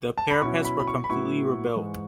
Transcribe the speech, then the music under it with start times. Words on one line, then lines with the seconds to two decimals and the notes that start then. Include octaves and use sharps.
The parapets were completely rebuilt.
0.18 A5
0.30 B5
0.42 B2 F#3 C#4 E4 C#6
0.65 B5
0.79 B5
0.87 C#6
1.04 B5
1.09 A2 F#3 B3 E4 C#6
1.76 G#2 E3 G#3